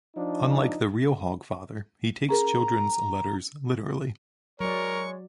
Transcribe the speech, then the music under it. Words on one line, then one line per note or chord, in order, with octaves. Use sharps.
Unlike the real Hogfather, he takes children's letters literally.
F3 D4 D#4
C#4 G#4 A#4 A#5
F#3 G#3 A#4 C#5 D5 C#6